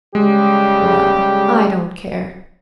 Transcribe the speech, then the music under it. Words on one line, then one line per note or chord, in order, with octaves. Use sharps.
Well, I don't care.
C#3 G3 G#3 G4